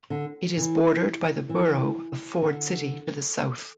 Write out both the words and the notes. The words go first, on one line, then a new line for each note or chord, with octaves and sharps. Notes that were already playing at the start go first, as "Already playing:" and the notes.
It is bordered by the borough of Ford City to the south.
D3
E3
E3
D3